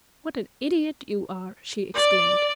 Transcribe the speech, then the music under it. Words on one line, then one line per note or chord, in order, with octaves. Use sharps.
"What an idiot you are!" she exclaimed.
D5